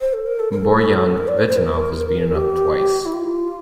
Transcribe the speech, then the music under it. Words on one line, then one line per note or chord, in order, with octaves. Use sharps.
Borjan Vitanov, was beaten up twice.
C5
A4
A#4
A4
A#4
A4
A#4
D5
C5
C5
A#4
G4
E4
F4